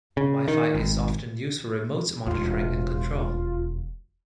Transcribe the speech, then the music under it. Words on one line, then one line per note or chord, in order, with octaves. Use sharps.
Wi-Fi is often used for remote monitoring and control.
C#3
D#3
G#1
E1 D#2 F4